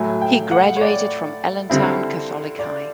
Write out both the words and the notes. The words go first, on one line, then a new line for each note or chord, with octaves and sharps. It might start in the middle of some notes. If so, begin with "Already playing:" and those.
He graduated from Allentown Catholic High.
Already playing: A2 F#3 A3 G#5
G5
F#5
C#5
D5
D3 G3 C4 E4
D5